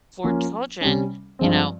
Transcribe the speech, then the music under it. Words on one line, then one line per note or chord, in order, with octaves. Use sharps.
for children, you know,
F3 A#3 C#4 F4
C3 G3 C#4
G2 F3 G#3 C4